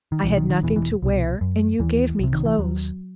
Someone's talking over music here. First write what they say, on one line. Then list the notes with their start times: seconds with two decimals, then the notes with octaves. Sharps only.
I had nothing to wear, and you gave me clothes.
0.12 D#3
0.23 C2 B2 E3
0.37 D#3
0.50 D#3
0.63 E2 B2 E3
0.76 E3
1.02 C2 B2
1.41 F#2
1.79 D#2 E3
2.20 C2 C3
2.33 D#3
2.45 E3
2.58 D#2 F#3